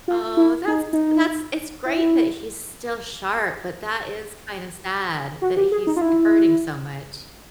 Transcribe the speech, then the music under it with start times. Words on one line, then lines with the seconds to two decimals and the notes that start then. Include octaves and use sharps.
Oh, that's that's It's great that he's still sharp, but that is kinda sad that he's hurting so much.
0.08 F4
0.37 E4
0.68 D#4
0.93 D#4
1.85 E4
5.42 F#4
5.57 G4
5.72 G#4
5.87 D#4
5.96 F4
6.01 E4